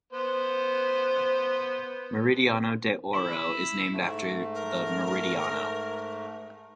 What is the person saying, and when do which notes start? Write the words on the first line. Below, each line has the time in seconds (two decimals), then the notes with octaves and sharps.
Meridiano De Oro is named after the "Meridiano".
0.13 B3 C5
3.14 E4
3.92 G#2 A3
4.54 A#4